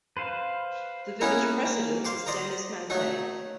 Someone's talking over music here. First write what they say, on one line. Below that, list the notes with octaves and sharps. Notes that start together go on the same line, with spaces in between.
The village president is Dennis Manthei.
B4 C5 F5
A#3 B3 C#4 D#4 E4 A#4
A#3
C5 F5 D6
C5 D5 D#5 A#5
F#3 A3 D#4